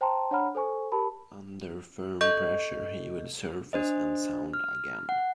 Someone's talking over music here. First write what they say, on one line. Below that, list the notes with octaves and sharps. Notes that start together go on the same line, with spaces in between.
Under firm pressure he will surface, and sound again.
C5 G5 A5 A#5 C6
D4 C#5 F#5 A#5 B5 F6
A4 C5 G#5 C#6
G4 A#4 A5 B5
A4 D#5 C#6 G6
D4 C5 D#5
F6
F#5